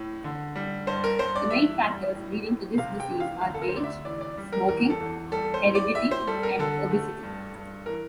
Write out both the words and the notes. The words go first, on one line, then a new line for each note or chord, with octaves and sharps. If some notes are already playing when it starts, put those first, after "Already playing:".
The main factors leading to this disease are age, smoking, heredity, and obesity.
Already playing: A2
D3
G3
G2 C5
A#4
G2 C5
D5
E3 E5
G3
A2
A2
C3 F5
G5
E3
F5
D2 F5
A4
A#4
C5
D2 D5
E5
E3 D5
D5
G3
A#4
E2 A#4
A4
E2
G3 A4
C5
A2
D5
A2 E5
C5
G3 A4
A#4
D3 A4
A3
G2
G2
E3 A#4